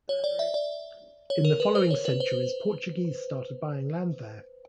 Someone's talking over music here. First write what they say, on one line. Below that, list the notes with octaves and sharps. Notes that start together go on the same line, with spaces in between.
In the following centuries, Portuguese started buying land there.
C#5
D5
E5
D5
C#5
A#4
B4
C5
C#5
B4
C5